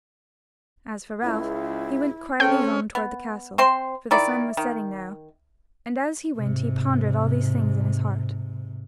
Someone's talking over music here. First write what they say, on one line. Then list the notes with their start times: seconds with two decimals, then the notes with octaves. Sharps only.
As for Ralph, he went quietly home toward the castle, for the sun was setting now, and as he went he pondered all these things in his heart.
1.23 C#2 E4
2.40 C#3 C4 C#4 A4 G5
2.95 B3
3.58 C4 C5 C6
4.11 D#3 E4 D5
4.57 D#3
6.35 G#2 C3